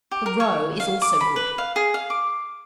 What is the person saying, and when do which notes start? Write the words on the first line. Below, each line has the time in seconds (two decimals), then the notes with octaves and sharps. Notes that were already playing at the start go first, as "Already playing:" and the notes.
The roe is also good.
0.11 G4
0.26 A#4
0.40 C#5
0.80 F5
1.02 D6
1.21 B5
1.36 B4
1.58 F5
1.76 G#4
1.94 F5
2.10 D6